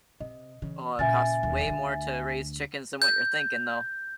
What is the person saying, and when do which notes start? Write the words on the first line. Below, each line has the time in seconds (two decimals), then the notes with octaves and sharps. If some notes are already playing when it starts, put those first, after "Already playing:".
Oh, it costs way more to raise chickens than what you're thinking though.
0.20 C3 D#5
0.62 C#3 E3
0.99 A#2 C#3 E5 G#5 A6
1.43 E1 D#2
1.67 D2 D3
3.02 G6